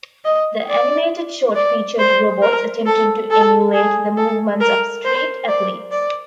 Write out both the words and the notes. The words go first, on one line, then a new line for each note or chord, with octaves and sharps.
The animated short featured robots attempting to emulate the movements of street athletes.
D#5
D5
D5
C5
A#4
A4
A4
G#4
A4
A#4
C5
D5
D5